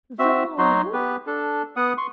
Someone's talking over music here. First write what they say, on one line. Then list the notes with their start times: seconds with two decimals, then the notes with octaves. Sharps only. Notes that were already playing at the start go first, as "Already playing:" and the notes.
"The Lone Wolf!"
0.19 C4 F#4 E5
0.58 F#3 D#4 F#4 C6
0.93 B3 G4 B4
1.27 D4 A4
1.76 B3 F#5 D#6
1.98 C6 C#6